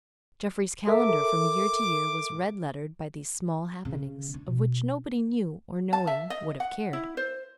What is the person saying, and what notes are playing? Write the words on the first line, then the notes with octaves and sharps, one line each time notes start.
Jeffrey's calendar from year to year was red-lettered by these small happenings, of which nobody knew, or, knowing, would have cared.
A4 A#4 E5 D6
C#3
D4
B2
A5
E5
D#5
F#5
E4
C5